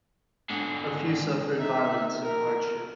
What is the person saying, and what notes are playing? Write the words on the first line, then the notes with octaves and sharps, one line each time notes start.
A few suffered violence and hardship.
G#2 D3
D#4 E5
A#4